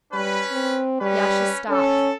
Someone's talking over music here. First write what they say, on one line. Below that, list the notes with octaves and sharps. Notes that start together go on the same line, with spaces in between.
Yasha stopped.
G3 C#4 B4
C4
G3 C#4 B4
C#4 A4